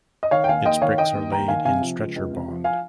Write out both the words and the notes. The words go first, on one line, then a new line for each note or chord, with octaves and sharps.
Its bricks are laid in stretcher bond.
D#5
D#3 C#5 F5
G5
D#2 F5 G#5
D#2 D#5 G5
D#3 C#5 F5
D#3 D#5 G5
D#2
D#2 G5 A#5
D#3 F5 G#5
C3 F5 G#5
F3
C#2
C#2
C3
F3
F5 G#5